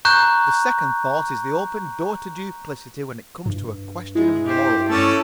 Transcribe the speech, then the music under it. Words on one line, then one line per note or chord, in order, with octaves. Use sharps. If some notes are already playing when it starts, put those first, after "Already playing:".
The second thought is the open door to duplicity when it comes to a question of morals.
A#5 C#6 F#6 G6
G2
G#3 E4
G4 C5
A3 C#4 A4 D5